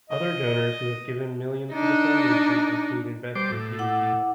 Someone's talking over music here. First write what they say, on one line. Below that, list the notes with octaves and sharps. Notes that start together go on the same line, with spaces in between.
Other donors who have given millions to the Foundation include investor Peter Thiel.
D#5
D4 D#4
G3 C5 D6
A2
E4 F#5 D6